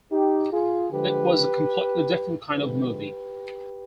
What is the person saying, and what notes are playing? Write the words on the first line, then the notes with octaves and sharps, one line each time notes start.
It was a completely different kind of movie.
D#4 G4
F4 G#4
D3 F3 G#3 G4 B4
D3 F3 G#3 G4 B4